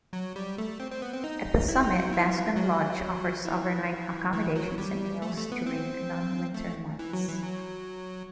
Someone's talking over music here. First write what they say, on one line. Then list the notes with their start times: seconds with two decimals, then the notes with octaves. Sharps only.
At the summit, Bascom Lodge offers overnight accommodations and meals during non-winter months.
0.13 F#3
0.36 G3
0.58 A3
0.80 C4
0.91 C4
1.02 B3
1.13 C4
1.24 D#4
1.68 E4
1.83 D#4
1.98 F#3
2.13 E3
2.56 F#3
3.45 E3
4.33 E3
4.55 F#3
4.78 G3
5.22 A3
5.37 A3
5.52 B3
5.66 C4
6.54 A3
6.99 E3
7.13 F#3
7.28 E3
7.43 F#3